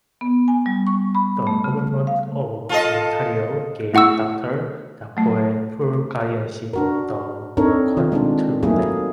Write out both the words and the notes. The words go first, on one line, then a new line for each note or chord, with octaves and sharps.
The government of Ontario gave Doctor Dafoe full guardianship of the quintuplets.
B3
G#5
G3
C#6
B5
A3
C#3
F5
F4 A4 D#5
A3 E4 F#5 C#6 E6
F#3 A3
D4 F#4 A#4
C4 D4 D#4 A4 A#4 C#5
D#3 F4
G#3 C4 D4
F#3 A3 A#3 D#4 E4 G#4